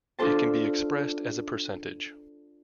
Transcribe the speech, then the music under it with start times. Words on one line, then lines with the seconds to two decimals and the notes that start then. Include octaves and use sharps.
It can be expressed as a percentage.
0.19 D4 F4 A4 C5 A5